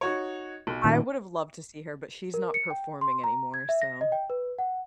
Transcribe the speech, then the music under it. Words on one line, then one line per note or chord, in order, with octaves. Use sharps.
I would have loved to see her, but she's not performing anymore, so
D#4 F#4 C#5
B1
A#2 D#3
A#4
C#7
G5
C6
A#5
G#6
E5
A#6
D#5
G5
B4
F#5